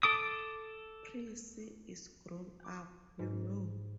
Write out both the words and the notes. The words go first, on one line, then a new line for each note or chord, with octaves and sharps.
Prissy is grown up, you know.
A4 D6 D#6
D6
G#2